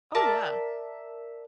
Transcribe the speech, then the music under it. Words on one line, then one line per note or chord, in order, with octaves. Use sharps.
Oh, yeah.
A#4 D5 E5 A5